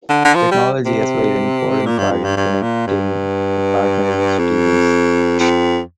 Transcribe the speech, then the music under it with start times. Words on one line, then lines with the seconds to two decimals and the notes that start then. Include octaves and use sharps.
Technology has played an important part in connecting the partner institutions.
0.09 D3
0.25 D3
0.35 F3
0.51 G3
0.86 C3
1.86 A#2
1.98 G2
2.11 F2
2.24 G2
2.37 G2
2.62 A#2
2.87 G2
4.39 F2
5.40 F2